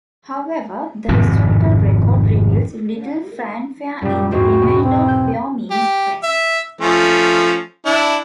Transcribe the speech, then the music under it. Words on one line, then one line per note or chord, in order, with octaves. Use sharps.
However, the historical record reveals little fanfare in the remainder of Wyoming's press.
G#1 F2 A2 C3
F#2 A#2 G3
E2 G#2 C4 F#4
B2
C4
G6
G4
E5
F3 A3 C#4
D4 E4